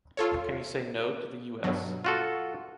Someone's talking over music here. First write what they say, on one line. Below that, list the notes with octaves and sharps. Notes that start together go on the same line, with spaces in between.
Can you say “no” to the US?
F4 A4 C#5
G2 B2 F#3
F4 F#4 A4